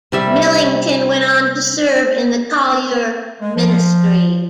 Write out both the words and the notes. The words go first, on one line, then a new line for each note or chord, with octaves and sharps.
Millington went on to serve in the Collier Ministry.
C3 G3 E5
G#3
F3